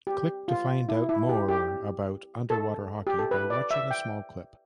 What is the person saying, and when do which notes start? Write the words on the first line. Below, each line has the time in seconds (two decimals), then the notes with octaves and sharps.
Click to find out more about Underwater Hockey by watching a small clip.
0.07 G4
0.48 F4
0.89 E4
1.09 E4
1.29 G4
1.49 G4
2.50 A4
3.07 G4
3.19 A4
3.31 B4
3.50 D5
3.71 E5
3.91 G5